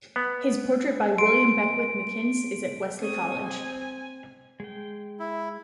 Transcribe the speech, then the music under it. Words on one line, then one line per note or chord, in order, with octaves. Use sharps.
His portrait by William Beckwith McInnes is at Wesley College.
B3
C6 D7
C4 C#5 D#6
G#5
G#3 G5
E4